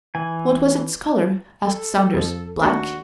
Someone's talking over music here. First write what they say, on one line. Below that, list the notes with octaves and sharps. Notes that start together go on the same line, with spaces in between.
"What was its color?" asked Saunders; "black?"
E3 G#5
A4
F2 F3
D#2 A3 D4 F#4